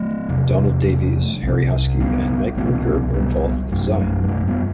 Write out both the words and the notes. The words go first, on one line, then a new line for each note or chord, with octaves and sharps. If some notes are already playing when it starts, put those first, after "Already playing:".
Donald Davies, Harry Huskey and Mike Woodger were involved with the design.
Already playing: F#3 A3
E2 C3
C2 C3
G3 B3
C2 B2 A3 C4
C4
G3 B3
F#2 F#3 A3
G3
F#3 A3
G3
F#3 A3
G3 B3